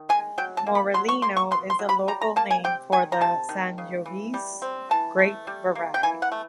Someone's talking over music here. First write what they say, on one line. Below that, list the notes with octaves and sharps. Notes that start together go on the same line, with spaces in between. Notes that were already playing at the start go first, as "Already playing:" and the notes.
Morellino is the local name for the Sangiovese grape variety.
Already playing: D#3
G#3 G#5
F#3 G5
A5
A#3
B5
F#3 C6
C#6
A#3 C6
C#6
B2 C6
C6
F#3
B5
G3 A#5
A#5
A#3 A5
G#5
C3 G5
D#3 G#5
A#5
C3 A5
D#3
C#3
E3
G3
C4
E3 A5
A3
G3
A#3
G5
E3 G#5
F#5
A3